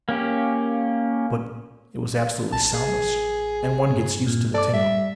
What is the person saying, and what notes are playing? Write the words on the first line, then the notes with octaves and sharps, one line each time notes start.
But it was absolutely soundless, and one gets used to the tingle.
A#3 C#4 G4
A1 A5
G#4
G2
A#2
A4 D5 D6
G3 E5